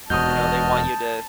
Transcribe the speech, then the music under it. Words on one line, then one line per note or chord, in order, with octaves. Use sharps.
you know, they want you to
E1 D#2 F#4 D#5 A5 D#6 F6 G6